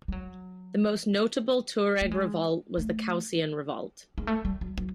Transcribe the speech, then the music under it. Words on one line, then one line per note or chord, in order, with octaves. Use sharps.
The most notable Tuareg revolt was the Kaocen Revolt.
G3
F#3
A3
G#3
A3
G#3
A3
G3
F#3
F#3